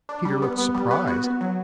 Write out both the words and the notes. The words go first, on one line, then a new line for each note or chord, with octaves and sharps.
Peter looked surprised.
D4
G3
B3
B3
G3
B3
F#4
B3
F#3